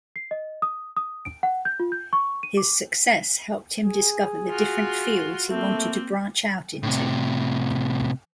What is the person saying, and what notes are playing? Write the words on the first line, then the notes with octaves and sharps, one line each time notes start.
His success helped him discover the different fields he wanted to branch out into.
C7
D#5
D#6
D#6
D7
F#5
G6
F4
G6
C#6
D#7
D6
G#4
F4 F#4
A3 A#3 C4
A2 C3